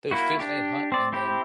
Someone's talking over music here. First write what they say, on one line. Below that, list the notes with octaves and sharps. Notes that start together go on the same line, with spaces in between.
they would fish and hunt and then
A#3 E4 F#4
D4 G4
C4 D5
C4 E4 G4